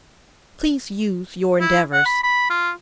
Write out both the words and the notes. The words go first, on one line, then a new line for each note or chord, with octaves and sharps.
Please use your endeavors.
E4
F#5
B5
B5
F4